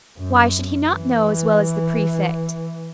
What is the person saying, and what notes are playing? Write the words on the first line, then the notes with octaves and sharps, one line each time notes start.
'Why should he not know as well as the prefect?
F#2
E3